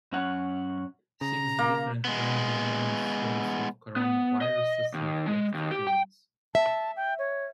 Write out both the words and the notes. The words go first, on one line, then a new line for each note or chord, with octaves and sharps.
Six different currently known strains of coronaviruses infect humans.
F#2 C#4 C#5 F#5
C#3 A#5
A#3
G#3 B3
B3
D#5
D#2
G#3
D#2
G4
G5
E5 A5
G5
C#5